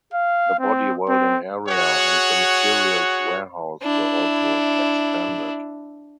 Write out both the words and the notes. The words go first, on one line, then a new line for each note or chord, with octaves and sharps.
The body welding area and the materials warehouse were also expanded.
F5
C4
C4
F#4 G#4 C#5 F#5
D4 E4